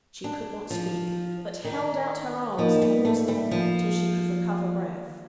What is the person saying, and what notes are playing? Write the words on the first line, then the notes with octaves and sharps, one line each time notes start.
She could not speak, but held out her arms towards them till she could recover breath.
D4
F3
D#3
F3 A#3 D#4 A#4 D#5
G3
A3
G3
F3